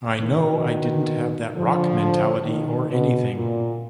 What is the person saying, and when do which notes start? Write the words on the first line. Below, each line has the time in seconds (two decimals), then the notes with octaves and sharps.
I "know" I didn't have that rock mentality or anything.
0.20 B2 D#3
1.54 D3 F3
2.43 B2 D#3
2.88 B2
3.34 A#2